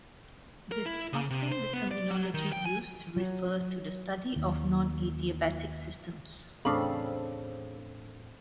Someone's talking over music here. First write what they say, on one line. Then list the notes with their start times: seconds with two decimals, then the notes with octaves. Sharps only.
This is often the terminology used to refer to the study of nonadiabatic systems.
0.72 A#4
0.86 E4
1.13 C#3
1.30 C3
1.51 C5
1.73 B3
1.91 D5
2.11 F#3
2.34 D#3
2.52 G5
2.66 G#5
3.17 F#3
4.36 D#2
6.65 E2 A2 C#3 C4 D4 A4 F5 B5